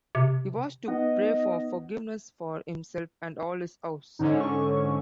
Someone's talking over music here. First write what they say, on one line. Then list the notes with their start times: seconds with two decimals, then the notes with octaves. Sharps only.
He was to pray for forgiveness for himself and all his house.
0.15 C3
0.88 B3 D#4 D#5 F#5
4.19 G#2 D3 C#4 D#4
4.40 C#6